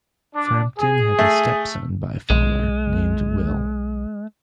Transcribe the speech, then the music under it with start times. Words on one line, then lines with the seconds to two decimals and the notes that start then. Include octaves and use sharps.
Frampton had a stepson by Faller named Will.
0.36 D4 D6
0.79 G#4
1.19 A3
2.30 B1 G#3